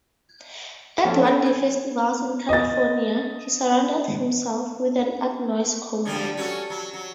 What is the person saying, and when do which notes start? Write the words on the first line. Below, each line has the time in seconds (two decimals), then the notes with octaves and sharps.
At one-day festivals in California, he surrounded himself with an artnoise combo.
1.05 F3 A#3 C4 A4 C#5 A5
1.25 G5
1.44 G#5
2.49 D#5 A6
6.05 D3 F3 G3
6.37 C#4 F#4 A4
6.70 F#3
6.93 F#3